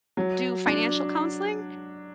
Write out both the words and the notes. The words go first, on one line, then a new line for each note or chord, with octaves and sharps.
do financial counseling,
F#3
D4